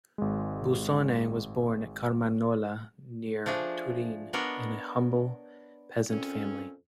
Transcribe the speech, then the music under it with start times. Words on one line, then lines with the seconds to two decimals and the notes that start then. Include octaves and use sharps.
Bussone was born at Carmagnola, near Turin, in a humble peasant family.
0.18 G#1 G#3
3.46 F3 A3 D4 G#4
4.33 B3 D4 A#4 C#5 D#5
6.09 F2 A#2 C4 C#4